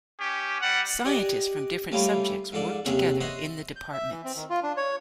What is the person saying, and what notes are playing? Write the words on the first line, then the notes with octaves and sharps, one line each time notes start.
Scientists from different subjects work together in the departments.
C#4 G4
G3 F#5
G4 D5 D#5 F#5 G#5
G3 A3 A#3 C#4 E4 F4
G#2 F3 A4 D5
D#2 C3 C#4 G#4 E5 F#5
C5 C#5 D#5 E5 F#5 C6
G6
E5
E3
C4
D#3
F4
D4
C#5